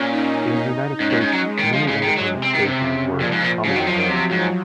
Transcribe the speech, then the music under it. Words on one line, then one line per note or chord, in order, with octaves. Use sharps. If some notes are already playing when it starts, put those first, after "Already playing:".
In the United States, many independent stations were commonly owned.
Already playing: A#2 C#4
D#4
D#4
G#2 C#4
G#2
G#2
F#3
G#3
D#3
F3
C#3 G#3
D#3
F#3
C3
C4
D#3
C3
C#3
A#2 F3
G#2
A#2
C#3 F#3
D#3
F3
D#3
C3
G#2